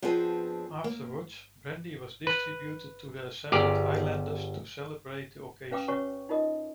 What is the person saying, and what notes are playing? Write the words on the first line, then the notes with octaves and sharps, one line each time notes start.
Afterwards brandy was distributed to the assembled highlanders to celebrate the occasion.
F3 B3 C4 D4 G#4 A4
A#3
B4
G1 G4 G#4 A#4 D5
C#4 B4 F5 G5 D6 D#6
C#4 F#4 B4 C#5 G#5 C#6
D#4 F4 A#4 D#5 D#6